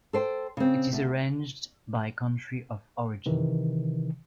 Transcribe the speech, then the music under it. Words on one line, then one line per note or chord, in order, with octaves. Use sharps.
It is arranged by country of origin.
A4 C5 G5
C#3 C4
D2
C3 D#3 E3